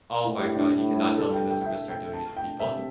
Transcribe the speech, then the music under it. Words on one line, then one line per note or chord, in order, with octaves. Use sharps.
Oh my god, you cannot tell me this. I'm gonna start doing it to people.
A2 E4
G4
D4
A2 D4
E4
G2 A4
G5
G5
G5
E5
G5
A5
G5
C3 E5